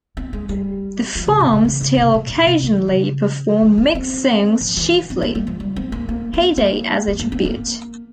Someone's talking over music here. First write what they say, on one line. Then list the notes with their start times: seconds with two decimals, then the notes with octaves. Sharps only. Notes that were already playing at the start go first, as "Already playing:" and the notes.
The Frames still occasionally perform Mic's songs-chiefly "Heyday"-as a tribute.
0.17 C4
0.33 G#3
0.49 G3
1.15 F3
1.27 C#3
1.40 C3
1.52 C#3
1.65 E3
1.81 C#3
1.98 C3
2.14 A#2
2.30 A#2
2.47 C3
2.63 E3
2.88 C#3
3.62 F3
3.78 C#4
3.95 C4
4.61 F3
4.77 E3
5.10 C4
5.22 A#3
5.35 G3
5.47 F3
5.60 G3
5.76 C4
5.92 A#3
6.09 A#3
6.34 C4
6.58 A#3
7.08 G#3
7.20 A#3
7.32 C4
7.45 A#3